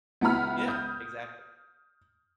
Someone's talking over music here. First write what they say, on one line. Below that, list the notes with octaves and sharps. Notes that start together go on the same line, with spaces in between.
Yeah. Exactly.
C#2 B3 E4 F#5 B5 F6
D#6 G6